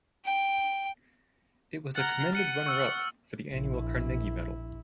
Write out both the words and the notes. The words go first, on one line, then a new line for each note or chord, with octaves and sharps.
It was a commended runner-up for the annual Carnegie Medal.
G5
F#5 A#5 F6 A6
F#5 F6 C#7 D#7
C#6 E6 F6
A#1 E4